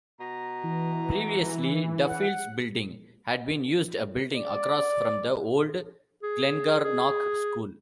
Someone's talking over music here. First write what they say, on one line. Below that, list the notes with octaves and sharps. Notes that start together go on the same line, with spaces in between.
Previously "Duffield's Building" had been used, a building across from the old Glengarnock School.
B2 A#5
E3
F#5
D5
G#4
G#4